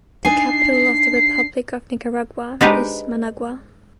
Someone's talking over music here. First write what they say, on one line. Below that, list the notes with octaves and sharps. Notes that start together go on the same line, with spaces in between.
The capital of the Republic of Nicaragua is Managua.
D4 D#4 G#5 C7
G#3 D4 D#4 G4 B4 C5